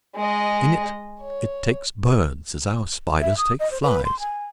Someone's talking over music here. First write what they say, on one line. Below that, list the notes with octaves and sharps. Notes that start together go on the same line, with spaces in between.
In it it takes birds as our spiders take flies.
G#3 D#5
C#5
E5
D#6
D#5
C5
B4
C6
G#5